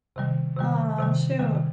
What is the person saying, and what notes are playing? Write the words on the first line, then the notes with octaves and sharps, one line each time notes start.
Aw, shoot.
C3 D#3 G3
C3 D#3 G3
C3 D#3 G3
C3 D#3 G3